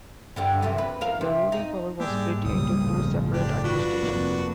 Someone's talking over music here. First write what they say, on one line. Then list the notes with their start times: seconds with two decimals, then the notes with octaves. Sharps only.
The ruling power was split into two separate administrations.
0.36 G2 D3 G3
0.62 F#2 C3 E3
0.78 B4
1.01 E2 A#4 F5
1.21 C3
1.52 D#4
2.00 G#2 G3 A#3 D4 G4 G#4
2.45 C#2 A#2 F#3 G3 D#6
2.77 G1 F2 A2 C#3 F3
3.33 D4 G4
3.64 D4 F4 F#4 B4
4.03 F1 F2 A#3